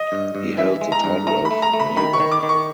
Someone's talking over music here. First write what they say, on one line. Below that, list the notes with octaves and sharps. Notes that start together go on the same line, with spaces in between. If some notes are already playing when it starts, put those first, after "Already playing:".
He held the title of Nawab.
Already playing: D#5
G2
G2
E3 E5
G#3
A#5
G2
A3 A#5
B5
A3
A#5
A3
B5
D#3 B5
C#6
D#3
D6
D#3
C#6